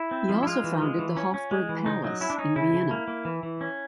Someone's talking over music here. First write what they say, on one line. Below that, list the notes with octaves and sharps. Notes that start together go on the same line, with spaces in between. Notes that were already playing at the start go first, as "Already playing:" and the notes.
He also founded the Hofburg Palace in Vienna.
Already playing: E4
C4
F3
E4
G#3 F4
E3
G#3
E3
C#4
C#4
G#3
E3
C#3 D#4
F#3 D#4
C#4 E4
D4
C#4 D#4
C#3 E4
C#3
A#3
A#3
E3
E3
C#4